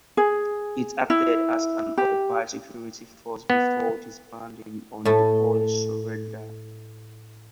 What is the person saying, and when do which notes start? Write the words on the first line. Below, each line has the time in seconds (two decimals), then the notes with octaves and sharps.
It acted as an occupied security force before disbanding on the Polish surrender.
0.17 G#4
1.10 E4
1.98 G4
3.50 B3
5.05 A2 A3